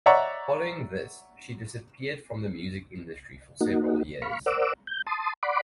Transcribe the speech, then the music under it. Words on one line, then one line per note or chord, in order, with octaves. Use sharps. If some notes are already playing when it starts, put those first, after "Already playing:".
Following this, she disappeared from the music industry for several years.
C#5 D5 E5 F#5 A#5 C#6
A#3 D#4 F#4
F5 B5 C#6
A#4 C5 D5 F#5 D6 E6
G6
A5 C6 D#6
D5 F#5 B5 C6 D6